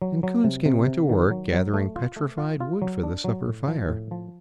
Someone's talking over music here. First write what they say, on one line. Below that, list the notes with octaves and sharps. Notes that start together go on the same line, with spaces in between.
And Coonskin went to work gathering petrified wood for the supper fire.
F#3
F#3
C3
C3
C3
D#3
F#3
F#3
A3
F4
A3
F4
F4
F#3
D4
F#3
A2
F3
A2
F3